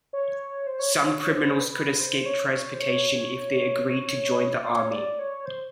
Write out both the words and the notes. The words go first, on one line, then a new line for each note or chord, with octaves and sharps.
Some criminals could escape transportation if they agreed to join the army.
C#5
C5
C#5
C5
C#5
C#5
C5
C5
B4
B4
C5
C#5
C#5
C5
C#5
C#5
C#5
D5
C#5
D5
C#5
C5